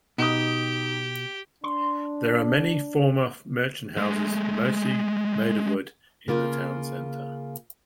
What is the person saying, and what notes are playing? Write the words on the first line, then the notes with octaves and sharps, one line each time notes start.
There are many former merchant houses, mostly made of wood, in the town center.
B2 D#4 G4 D#6
D4 C6
G#3 A3
C#3 A#3 F4